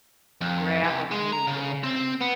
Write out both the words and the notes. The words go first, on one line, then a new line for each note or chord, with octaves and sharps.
grab of me and
F2
C2
G#3
A#5
C#3
C4
B3